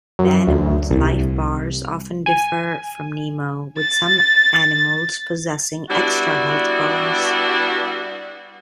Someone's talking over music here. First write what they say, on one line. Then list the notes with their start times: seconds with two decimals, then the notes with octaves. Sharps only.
The animal's life-bars often differ from Nemo, with some animals possessing extra health bars.
0.19 F#2
0.48 D2
0.91 C2
2.26 G#5
3.78 A6
5.90 G3 B3 D4 E4 F#4